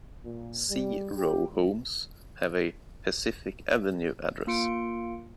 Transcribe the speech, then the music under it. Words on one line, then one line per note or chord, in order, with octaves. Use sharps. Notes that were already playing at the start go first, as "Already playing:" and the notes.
C row homes have a Pacific Avenue address.
A#2
G3
G4
G#1
A#3 F4 C6 C#7 D7